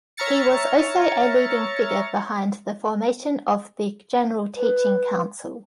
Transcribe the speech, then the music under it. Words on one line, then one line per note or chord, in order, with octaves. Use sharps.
He was also a leading figure behind the formation of the General Teaching Council.
C#5 E5 A#5 F6 A6 C#7
B4